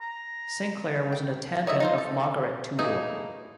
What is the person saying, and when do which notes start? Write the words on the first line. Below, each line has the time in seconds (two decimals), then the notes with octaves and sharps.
Sinclair was an attendant of Margaret Tudor.
0.01 A#5
1.12 G5
1.67 C#5 D#5 E5
1.80 D#4 F4 C5
1.98 A4
2.79 E3 A3 A#3 D#4 G#4